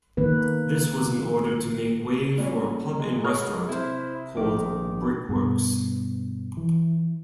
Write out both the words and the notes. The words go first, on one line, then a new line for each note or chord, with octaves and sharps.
This was in order to make way for a pub and restaurant called "Brickworks".
D#3 A#3 B4
A#2 G3 C#4
G#3
C#5 D#6 F6
C3 E4 C5
A#1 D#3 D6
G2 B2
E3